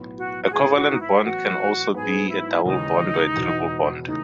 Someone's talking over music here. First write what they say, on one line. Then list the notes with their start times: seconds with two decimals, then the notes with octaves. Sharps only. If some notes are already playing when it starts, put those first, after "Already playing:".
A covalent bond can also be a double bond or a triple bond.
Already playing: B1 A2 F#3 B3
0.18 F#4
0.44 F#4
0.52 A1 G#2 E3 B3 G#4
0.76 F#4
0.90 D#4
1.00 E4
1.13 G#4
1.24 A1 A2 F#3 B3 F#4
1.94 G#2 F#3 B3 G#4
2.30 E4
2.65 D#2 C#3 E3 G#3 D#4
3.36 E1 E2 B2
4.06 C#3 E3 A3 D#4